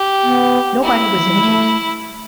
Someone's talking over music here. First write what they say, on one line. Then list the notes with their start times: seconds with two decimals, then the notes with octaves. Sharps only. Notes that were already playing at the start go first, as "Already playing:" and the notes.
Nobody was injured.
Already playing: G4
0.23 B3
0.83 E4
1.14 E3
1.24 F#3
1.32 G3
1.41 A3